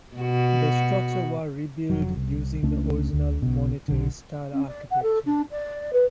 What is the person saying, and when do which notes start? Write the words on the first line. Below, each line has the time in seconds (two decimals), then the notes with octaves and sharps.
The structure was rebuilt using the original Monterey style architecture.
0.17 B2 F#4
1.90 F1 F3 F#3
2.16 C2
2.63 C#2 A3 C#4 D4
3.13 D2
3.42 B1 B2
3.88 B1 D3
4.52 C#4
4.67 D5
4.90 F#5
5.02 A4
5.25 D4
5.50 D5
5.92 B4